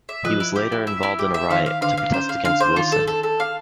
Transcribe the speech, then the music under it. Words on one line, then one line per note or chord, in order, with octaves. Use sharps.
He was later involved in a riot to protest against Wilson.
E5
F3 F4 B4
E4
G4
E4
E5
E4
G4
E5
D#3 D#4 F5
F5
D3 D4 F5
F5
C#4 C5
F5
D3 D4 F5
C5
D#3 D#4 F4
A4
A4
A4
F5